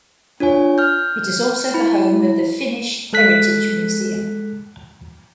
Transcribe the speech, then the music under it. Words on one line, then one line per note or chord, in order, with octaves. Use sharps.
It is also the home of the Finnish Heritage Museum.
D4 F4 C#5 G#5
F6 G6
E4 B5
G#3 A4 F#6 B6